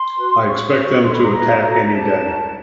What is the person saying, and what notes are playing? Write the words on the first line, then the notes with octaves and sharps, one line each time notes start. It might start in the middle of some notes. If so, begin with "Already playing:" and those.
I expect them to attack any day.
Already playing: C6
F#4 B4
D#4 G#4 C5 C#6
C#4 F#4 A#4
D#4 F#4 A4 C6
B5
A#5
E4 G#4 B4 A#5
D4 F#4 A4
E4 G4 C5 A5
D#4 F#4 A#4